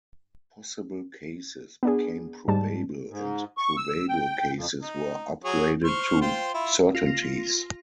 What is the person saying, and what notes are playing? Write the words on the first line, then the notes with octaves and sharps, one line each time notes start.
"Possible cases" became "probable", and "probable" cases were upgraded to certainties.
B3 D4 G#4
G#2 G3 A5
G#2
C#6
E6
G5
F2
D#4
F#3 G#4 C#5
C5 C#6 F6
F4 C5 G5
E4 F4
F4 A#6